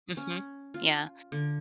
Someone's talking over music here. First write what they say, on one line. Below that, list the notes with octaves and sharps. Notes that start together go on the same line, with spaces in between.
mhm, yeah.
C#4
F4
D3